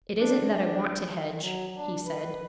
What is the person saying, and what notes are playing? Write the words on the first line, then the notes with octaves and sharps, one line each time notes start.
'It isn't that I want to hedge,' he said.
D4
F#3
D4
B4